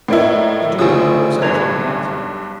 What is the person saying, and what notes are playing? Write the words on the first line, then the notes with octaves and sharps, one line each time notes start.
The Duke looked searchingly at her.
A2 A#3 E4 B4 D5 D#5
A1 D2 C#3 F4 G4 D#6 E6
B1 G2 G#6 F7